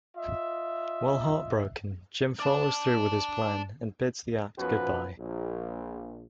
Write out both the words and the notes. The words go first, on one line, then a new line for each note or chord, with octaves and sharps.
While heartbroken, Jim follows through with his plan and bids the act goodbye.
F4 D#5 E5
D5 A5
B1 F#2 B2 F3 F#4 B4
A#1